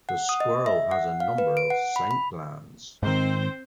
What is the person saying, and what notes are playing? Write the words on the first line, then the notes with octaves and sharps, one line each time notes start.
The squirrel has a number of scent glands.
F#5
D#6
D#5
E5
F#5
F5
B4
D7
F#5
B5
B5
G#2 D#3 C4 C5